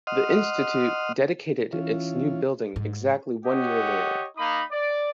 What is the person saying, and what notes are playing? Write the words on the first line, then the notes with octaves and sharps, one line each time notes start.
The institute dedicated its new building exactly one year later.
D#5 F#5 C6 D#6 F6
E3 C#4 F4
G#2
G4 C#5 D#5 F#5
A#3 D#4 B5 D#6
D5